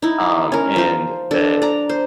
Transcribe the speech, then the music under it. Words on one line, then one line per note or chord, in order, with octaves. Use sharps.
um, and the
D#4 E4
C#4 A#4
F3 C5
D4 A4
D5 A#5
C5